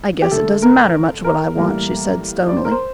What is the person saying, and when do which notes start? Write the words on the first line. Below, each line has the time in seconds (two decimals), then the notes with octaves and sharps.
"I guess it doesn't matter much what I want," she said stonily.
0.22 G4
0.31 D3 A3 A4
0.62 A#4
1.24 A#4
1.55 A2 E3 G3 A#3
2.49 D5
2.57 C5
2.65 A#4
2.71 C5